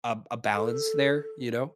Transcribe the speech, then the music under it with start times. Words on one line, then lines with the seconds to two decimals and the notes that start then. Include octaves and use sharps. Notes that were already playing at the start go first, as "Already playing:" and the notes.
a a balance there, you know.
0.55 A4